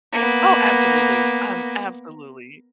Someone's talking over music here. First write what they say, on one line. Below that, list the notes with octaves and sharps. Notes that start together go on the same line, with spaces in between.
Oh, absolutely, um, absolutely.
A#3 B3